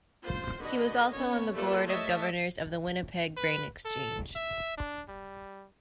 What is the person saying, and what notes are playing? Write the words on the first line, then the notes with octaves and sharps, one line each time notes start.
He was also on the board of governors of the Winnipeg Grain Exchange.
F4 C5
D3 F#4 B4 D#5
B3 C#4 C#5
G3 A3 A#3 F4 A4 B4
A3 C#5 D#5 E5 A5
B4
A4
E5
D4
G3